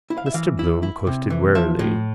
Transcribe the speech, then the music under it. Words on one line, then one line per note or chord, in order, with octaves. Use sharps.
Mr Bloom coasted warily.
E4
F5
E5
E3 F5
E4
E4
C3
E3
F3 E5
A2